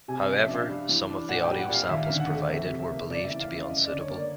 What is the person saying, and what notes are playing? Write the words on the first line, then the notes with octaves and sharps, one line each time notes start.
However, some of the audio samples provided were believed to be unsuitable.
C3 G#5
D#5
F3
E5
D4
F5
G2
E3
D4
A#2 F#5
G5
G3
F#5
A#2
F5
D#2 E5
F5
D3
F#5
A3
F2 E5
C3
E5
A#3
C#3 D5
E5
E3
F5
C#3 E5
F#2 D#5
D5
D3
C#5
A#3
D5